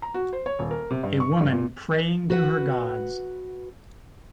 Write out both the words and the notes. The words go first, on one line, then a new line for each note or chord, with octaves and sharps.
A woman praying to her gods.
A#5
F#4
C5
C#5
D#1
A#4
C3
G2
C#6
G2
A#2
F#4 B4 F#5